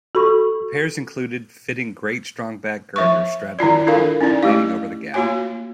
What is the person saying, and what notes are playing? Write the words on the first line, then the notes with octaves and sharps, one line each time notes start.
Repairs included fitting great strongback girders straddling the hole and plating over the gap.
F#4 A4 B5 C#6
F3 E5 C#6
D#3 E4 F4 D5
D4 F4 A4 A#4 F5
C#4 D#4 E4 D5
A3 G4 F5
A#3 F4 F#4 C#5 G#5